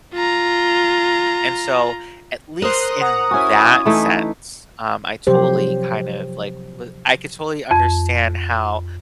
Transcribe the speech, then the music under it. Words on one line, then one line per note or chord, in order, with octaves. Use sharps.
And so at least in that sense, um, I totally kind of, like, li I could totally understand how
F4 A#5
A#4 C5 C6 D#6 F#6
F#5 A#5 D#6
C#4 E4 F#4 G#5
E3 A3 D#4
C3 F3 F#3 G4 C5
F2